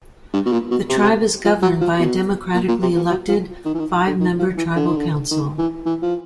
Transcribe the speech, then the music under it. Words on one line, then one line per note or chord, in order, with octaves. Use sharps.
The tribe is governed by a democratically elected, five-member tribal council.
G2
B2
A#2
B2
C3
B2
C3
F3
F#3
F3
B2
A#2
A#2
C3
F3
F#3
F3
D#3
E3
D#3
D3
D#3
F3
E3
D3
D#3
D3
D#3
E3
E3
F3